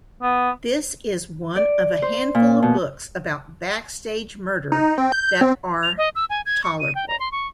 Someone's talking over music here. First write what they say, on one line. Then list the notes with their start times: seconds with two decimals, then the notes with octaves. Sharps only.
This is one of a handful of books about backstage murder that are tolerable.
0.22 B3
1.56 D5
2.02 C5
2.35 A#2
2.62 B2
4.72 D#4
4.98 C4
5.12 G6
5.41 C4
5.83 F7
5.98 D#5
6.15 E6
6.30 G#5
6.46 G#6
6.64 C#6
6.80 D#7
6.95 G5
7.08 A#5
7.20 C6
7.32 C#6